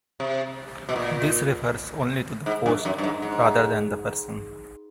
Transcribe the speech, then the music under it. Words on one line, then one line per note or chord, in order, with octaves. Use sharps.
This refers only to the post, rather than the person.
C3
B2
A#2
G#2
G2
F#2
G2
G#2
G#2